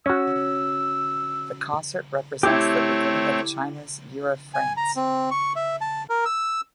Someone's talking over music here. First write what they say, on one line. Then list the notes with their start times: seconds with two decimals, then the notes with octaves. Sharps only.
The concert represents the beginning of China's "Year of France".
0.06 C#4 F#4 E6
2.43 A3 C4 E4 G4 C#5
4.54 G#5
4.77 A#5
4.96 C4
5.31 C#6
5.56 E5
5.81 A5
6.10 A#4
6.25 E6